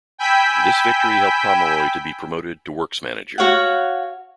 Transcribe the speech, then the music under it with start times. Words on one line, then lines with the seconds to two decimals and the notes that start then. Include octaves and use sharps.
This victory helped Pomeroy to be promoted to Works Manager.
0.18 G5 G#5 B5 E6 G6 B6
3.38 F#4 C#5 F5 F#5